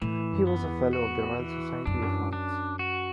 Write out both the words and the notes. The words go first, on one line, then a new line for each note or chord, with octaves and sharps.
He was a Fellow of the Royal Society of Arts.
A2 E3
F#2
B3
E2
F#4
E3
F#2 D4
E2
F#2
D4
F#4